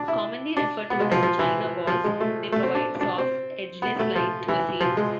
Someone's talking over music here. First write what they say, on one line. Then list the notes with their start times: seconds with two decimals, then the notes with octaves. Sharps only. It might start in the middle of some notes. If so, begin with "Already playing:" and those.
Commonly referred to as "China balls", they provide soft, edgeless light to a scene.
Already playing: D4
0.08 E4
0.57 D4
0.90 B3
1.00 G#3
1.12 F3
1.23 F3
1.39 E3
1.87 F3
2.04 G#3
2.20 A3
2.52 A3
2.63 C4
2.75 D4
3.01 D4
3.18 C4
3.82 B3
3.99 A3
4.16 F3
4.48 E3
4.81 F3
4.97 G#3